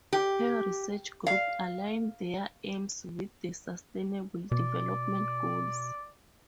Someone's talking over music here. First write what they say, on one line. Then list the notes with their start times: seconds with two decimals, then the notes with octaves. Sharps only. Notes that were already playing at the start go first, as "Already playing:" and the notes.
Her research group align their aims with the Sustainable Development Goals.
0.13 G4
1.27 F5
4.52 B2 D5